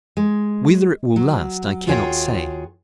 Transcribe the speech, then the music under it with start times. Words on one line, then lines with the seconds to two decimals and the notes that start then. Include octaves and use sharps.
"Whether it will last I cannot say."
0.17 G#3
1.16 F#3
1.87 D#2 F4 F#4 G#4 C#5 G5